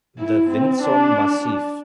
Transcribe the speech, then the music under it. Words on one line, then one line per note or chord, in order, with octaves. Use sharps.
The Vinson Massif.
E4
C4
D4